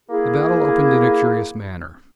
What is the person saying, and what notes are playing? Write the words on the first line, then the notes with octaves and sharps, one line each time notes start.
The battle opened in a curious manner.
A#3 E4 G#4